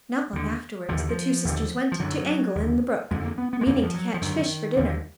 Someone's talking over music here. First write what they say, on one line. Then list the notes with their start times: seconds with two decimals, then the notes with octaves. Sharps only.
Not long afterwards the two sisters went to angle in the brook, meaning to catch fish for dinner.
0.33 D#2 D3
0.89 D#2 D3 F3
0.98 D#3
1.09 F3
1.45 D#2 D3
1.92 F3
2.00 F#2 D3 F#3
2.55 D#2 D3
3.11 F2 D3 G#3
3.25 A#3
3.38 B3
3.53 B3
3.61 G#3
3.66 F2 D3 A#3
3.83 F3
3.94 F#3
4.14 F3
4.21 F#2 D3 D#3
4.77 D#2 D3